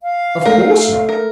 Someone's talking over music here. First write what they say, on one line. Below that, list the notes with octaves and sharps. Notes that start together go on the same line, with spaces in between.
'Of course not.
F5
A3 A#4
A#4